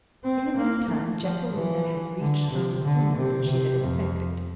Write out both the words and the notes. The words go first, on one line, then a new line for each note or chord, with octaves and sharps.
In the meantime Jacquelina had reached home sooner than she had expected.
C4
A#3
A3
F3
E3
D3
C3
D3
C3
C3
F2